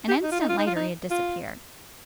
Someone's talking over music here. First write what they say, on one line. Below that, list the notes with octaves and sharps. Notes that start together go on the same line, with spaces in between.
An instant later he had disappeared.
G4
D#4
F4
D#4
F4
D#4
F4
D#4
F4